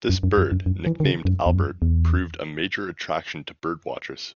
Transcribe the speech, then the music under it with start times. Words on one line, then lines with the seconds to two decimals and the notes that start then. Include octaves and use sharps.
This bird, nicknamed 'Albert', proved a major attraction to birdwatchers.
0.09 F#2
0.23 F#2
0.38 F#2
0.52 F#2
0.66 F#2
0.86 E3
1.00 D#3
1.05 C#3
1.25 F#2
1.46 E2
1.53 F#2
1.82 E2